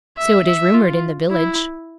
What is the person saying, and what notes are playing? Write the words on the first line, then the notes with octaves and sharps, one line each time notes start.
'So it is rumored in the village.'
E5
E5
F4
E4